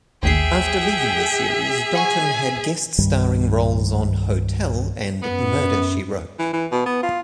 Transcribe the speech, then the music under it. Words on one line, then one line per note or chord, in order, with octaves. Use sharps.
After leaving the series, Dalton had guest-starring roles on "Hotel" and "Murder, She Wrote".
A1 D#2 G#4 E5 G5 C7
F#5 G#5 C#6
C2 G2 D#3 G3
F#2 B3
E3
E3
B2
B3
F4